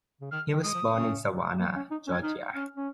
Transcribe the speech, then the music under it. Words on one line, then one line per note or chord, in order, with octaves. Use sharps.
He was born in Savannah, Georgia.
C#3
D#3 F6
D#3
G#3 D#6
F3
C#4
A#3
C#4
D#4
C#4
G#6
D#4 F6
C#4 F6
C#4